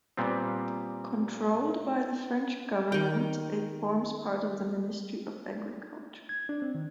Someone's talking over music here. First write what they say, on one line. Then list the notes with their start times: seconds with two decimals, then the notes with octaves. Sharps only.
Controlled by the French government, it forms part of the Ministry of Agriculture.
0.17 A#2 G3 B3 C4
2.92 D#3 G5
6.29 G#6
6.49 D4
6.62 C4
6.75 D#3